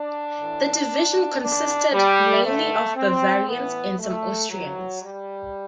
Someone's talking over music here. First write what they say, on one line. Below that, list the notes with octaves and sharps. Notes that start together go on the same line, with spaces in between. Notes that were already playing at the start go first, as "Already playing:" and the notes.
The division consisted mainly of Bavarians and some Austrians.
Already playing: D4
A2 E3
E2 D3 D4
G3
G2 D3 A3
C4
A2 E3 B3
A3
E2 C3 E3 F#3
G3